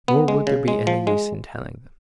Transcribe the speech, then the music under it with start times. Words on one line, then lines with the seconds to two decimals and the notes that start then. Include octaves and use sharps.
Nor would there be any use in telling them.
0.08 B3
0.28 G#3
0.47 C#3
0.68 G#3
0.87 F3
1.07 G#3